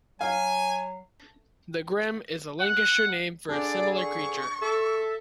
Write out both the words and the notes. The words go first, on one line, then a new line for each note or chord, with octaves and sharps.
"The Grim" is a Lancashire name for a similar creature.
F#3 F5 G#5
F#5
D3 D4 G#4 D5
C#6
A4 E5